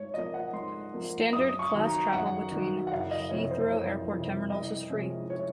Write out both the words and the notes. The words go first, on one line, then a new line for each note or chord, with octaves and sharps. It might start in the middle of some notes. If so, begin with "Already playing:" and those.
Standard-class travel between Heathrow Airport terminals is free.
Already playing: G#2 C#5
F3 A#3 D#5
F#5
G#2 C6
F3 A#3
F#2 D#6
C#6
D#3 F#3
A#5
F#2 F#5
D#3 F#3
F#5
F#1 F5
D#5
F2 C3 C#5
C5
F#1 C#5
F2 C3
C2 D#5
C3 F3 G#3 C#4
C#5